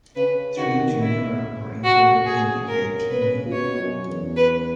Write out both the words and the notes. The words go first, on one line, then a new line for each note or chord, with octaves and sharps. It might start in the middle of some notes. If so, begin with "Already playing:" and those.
Three genera are included in the Aythyini.
C#3 B4
D#3 F#4
C#3 E4
F#4
G#4
A#4
B4
A#2
B2 C#5
F#2
E2
B4